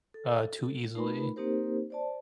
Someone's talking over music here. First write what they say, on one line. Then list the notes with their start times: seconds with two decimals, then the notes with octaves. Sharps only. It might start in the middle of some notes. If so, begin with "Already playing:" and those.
uh, too easily.
0.14 A4
0.95 A3 D#4 F4 A#4 B4 B5
1.36 A#3 C4 D#4 G4 A#4 C5
1.90 C5 D5 A5